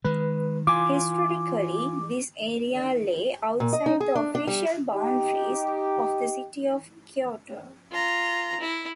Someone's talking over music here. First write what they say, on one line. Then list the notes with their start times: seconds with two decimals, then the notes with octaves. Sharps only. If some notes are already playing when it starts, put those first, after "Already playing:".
Historically, this area lay outside the official boundaries of the city of Kyoto.
0.05 D#3 G#3 B4
0.67 E3 F4 G#5 D6
3.60 A#2
3.73 D#5
3.86 D#4
4.00 G#4
4.15 D4
4.35 D4
4.47 G3
4.95 D#4 G4
7.91 F4 A#5
8.60 E4